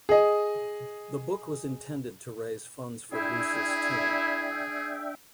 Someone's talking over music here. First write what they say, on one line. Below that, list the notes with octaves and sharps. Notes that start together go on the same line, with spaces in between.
The book was intended to raise funds for Loos's tomb.
G#4 D#5
D4 E4 G#4 E5 G5